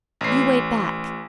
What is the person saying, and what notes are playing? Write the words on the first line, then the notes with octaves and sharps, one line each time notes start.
You wait back.
A1 C7